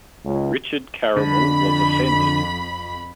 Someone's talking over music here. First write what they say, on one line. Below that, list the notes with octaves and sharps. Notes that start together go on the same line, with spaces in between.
Richard Caramel was offended.
C#2
F2 D3 B5